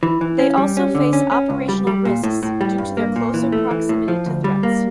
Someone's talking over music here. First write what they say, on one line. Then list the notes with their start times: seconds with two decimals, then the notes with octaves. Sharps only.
They also face operational risks due to their closer proximity to threats.
0.03 E3
0.21 E3
0.39 C#4
0.57 G3
0.77 C#4
0.95 D3
1.13 C#4
1.32 C#4
1.50 C#2
1.69 G3
1.87 G3
2.05 A#2
2.23 A2
2.43 A2
2.61 G3
2.78 G2
2.97 A#3
3.16 A#2
3.34 E3
3.52 A3
3.71 E3
3.89 A2
4.08 F3
4.26 D2
4.44 G3
4.63 A#3